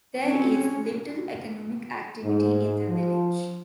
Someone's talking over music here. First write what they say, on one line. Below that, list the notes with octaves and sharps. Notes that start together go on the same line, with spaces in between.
There is little economic activity in the village.
C4 C#4
G#2
F3